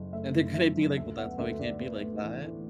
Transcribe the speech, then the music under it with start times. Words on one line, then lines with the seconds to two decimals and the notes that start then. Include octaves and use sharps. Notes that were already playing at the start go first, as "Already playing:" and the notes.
And they're gonna be like, "Well, that's why we can't be like that."
Already playing: F#1
0.12 A3 E5
0.34 F#2
0.54 F#2 E5
0.76 F#2
0.96 D2 E5
1.17 B3 F#5
1.38 D2 E5
1.59 D2 D5
1.80 B3
2.01 A2
2.22 E3
2.43 E3